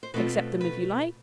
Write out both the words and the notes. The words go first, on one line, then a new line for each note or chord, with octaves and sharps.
Accept them if you like.
C5
B2 A3 C4 F4 B4
B4